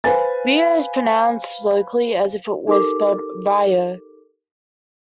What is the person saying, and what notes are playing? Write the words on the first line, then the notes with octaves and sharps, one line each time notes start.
Rio is pronounced locally as if it were spelled Rye-oh.
B4 C5 F5 G#5 A6
D#4 G4 A4 A#4 D6